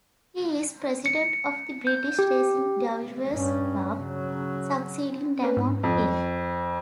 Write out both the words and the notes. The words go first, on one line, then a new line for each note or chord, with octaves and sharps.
He is president of the British Racing Drivers Club, succeeding Damon Hill.
C#7
G6
G4
G2 C#4
C#3 F#3
C4 C#4 B4
G#2
F2